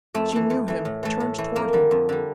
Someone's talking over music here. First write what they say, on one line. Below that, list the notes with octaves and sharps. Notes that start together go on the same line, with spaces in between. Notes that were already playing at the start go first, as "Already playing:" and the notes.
She knew him, turned toward him.
F2 A3
E3 A3
F2
E3 A3
A2
E3 A3
A2
E3 A3
F2 A#3
D3 G3
F2
D3 G3